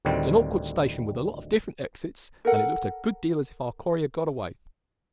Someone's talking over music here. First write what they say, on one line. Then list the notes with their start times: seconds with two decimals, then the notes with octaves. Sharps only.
It is an awkward station with a lot of different exits, and it looked a good deal as if our quarry had got away.
0.05 D2 A2 D3 D#3 G3 C4
2.45 A4 A#4 F#5